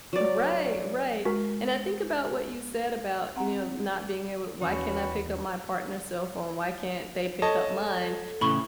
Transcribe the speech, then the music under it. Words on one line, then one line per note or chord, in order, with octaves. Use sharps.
Right, right, and I think about what you said about, you know, not being able why can't I pick up my partner's cell phone, why can't they pick up mine?
F#3 D5
G#3 F#4 A#4
C4 F#5 A#5
D#2 E3 C#4 F#4 B4
A4 C#5 D#5 A5
A2 C#3 E3 B5 C#6 G7